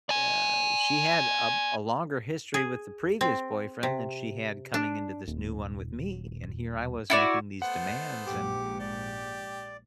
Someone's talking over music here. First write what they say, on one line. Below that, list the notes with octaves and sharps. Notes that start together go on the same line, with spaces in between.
uh, she had a a longer history with the previous boyfriend than she had coming into this new one with me, and here I was making these demands and,
D5 G#5
G#4
C4
C3
D4
D#1
E4 F#4 D5
A3 B3 C5 F#5
A#1 G#2 G4 D6
G4 D5